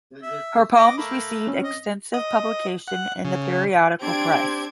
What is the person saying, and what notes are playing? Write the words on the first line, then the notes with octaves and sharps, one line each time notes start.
Her poems received extensive publication in the periodical press.
E5
D#5 D6
A3 A#3 B5
C4 C#4
D#5
D#5
F#5
C#3
C4 D4 G4 G#6 D7